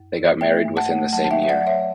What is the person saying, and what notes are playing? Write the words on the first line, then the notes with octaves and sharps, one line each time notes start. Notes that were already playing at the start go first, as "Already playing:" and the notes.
They got married within the same year.
Already playing: F#2
E3
A3 E5 G5
G2
F#5 A5
A3
F#3 F#5 A5
A5
E5 G5
F#3
E5
D5 F#5
F#3
C#5 E5